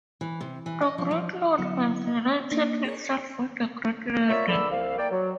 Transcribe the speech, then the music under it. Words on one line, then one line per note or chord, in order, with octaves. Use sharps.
The great lord has united himself with the great lady.
E3
C3
E3
D#5
F3
F3
D3 F#3 B3 E4 F#5 C#7
D#5
A#3 D4 D#4 D5
G#4 A#4 C#5
F4 A#4 C#5 D5 E5
C#2 D3 D5 B5 E6
C2 F5
A#3 D5 G5
F#3